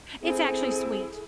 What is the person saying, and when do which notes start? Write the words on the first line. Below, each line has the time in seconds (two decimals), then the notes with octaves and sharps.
It's actually sweet.
0.22 C4 E4 G#4 A4